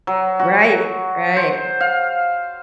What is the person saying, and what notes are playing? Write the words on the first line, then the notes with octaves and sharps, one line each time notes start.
Right, right.
F#3
F#4
C5
F5